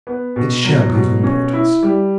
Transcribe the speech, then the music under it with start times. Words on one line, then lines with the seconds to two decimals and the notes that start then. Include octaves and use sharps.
"It shall be of importance."
0.07 B3
0.36 B2
0.65 F#3
0.95 B2
1.23 C#4
1.53 E4
1.83 G3